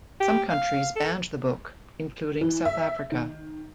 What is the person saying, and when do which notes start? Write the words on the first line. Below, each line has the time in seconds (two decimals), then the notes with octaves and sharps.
Some countries banned the book, including South Africa.
0.20 G4
0.50 F5
0.96 A4
2.41 E3
2.65 E5
3.12 D#3